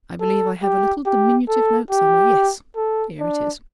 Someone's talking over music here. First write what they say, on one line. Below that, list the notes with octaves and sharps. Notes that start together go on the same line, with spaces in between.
I believe I have a little diminutive note somewhere; yes, here it is.'
A4
G4
G4
A4
G4
A4
D4